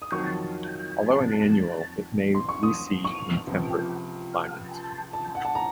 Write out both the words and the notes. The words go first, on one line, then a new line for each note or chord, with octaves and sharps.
Although an annual, it may reseed in temperate climates.
D#6
F2 D#3 F#3 C#6
C6
C#6
D#6
C#6
C#2 C3 F3
A5
F#5
A5
A#5